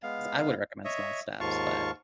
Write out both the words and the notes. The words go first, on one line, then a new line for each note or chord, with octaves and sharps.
'Cause I would recommend small steps, but
G#3 B3 F5
C#5 D#5 E5
D#2 G#2 F4 F5 A5 C#6